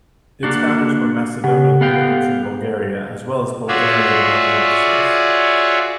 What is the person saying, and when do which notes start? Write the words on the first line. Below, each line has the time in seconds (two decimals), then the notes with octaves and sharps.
Its founders were Macedonian immigrants in Bulgaria as well as Bulgarian army officers.
0.43 A#3 D4 F#4
1.44 C#3 G4 F#5
1.81 B3 F5 G5
3.68 F4 F#4 G#4 C#5 D5 E5